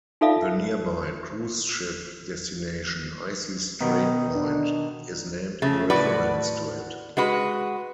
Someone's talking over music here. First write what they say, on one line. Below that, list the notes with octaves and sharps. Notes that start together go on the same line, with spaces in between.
The nearby cruise ship destination Icy Strait Point is named in reference to it.
D#4 F4 A4 D5 E5 F5
B2 D#3 B3
D4
C#3 A3
A2 F#4 B4 D5
G#3 F#4 B4